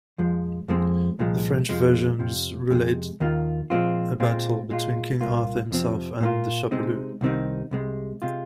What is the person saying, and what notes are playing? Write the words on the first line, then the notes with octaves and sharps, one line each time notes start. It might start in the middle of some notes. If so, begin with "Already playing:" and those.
The French versions relate a battle between King Arthur himself and the "Chapalu".
F2 F3 G#3
F2 F3 G#3 C4
C2 A#2 F3 G#3
F2 C3 F3 G#3
F2 C3 F3
F2 C3 G#3
D#2 D#3 A#3 F4
A#2 F3 G#3 C4 F4
A#2 G#3 C4 F4
A#2 G#3 F4
C2 A#2 A#3 F4
F2 C3 F3 C4
A#2 A#3 F4
C3 G#3 C4 D#4
C2 C3 D#3 C4 D#4
C2 C3 G#3
C3 G#3 F4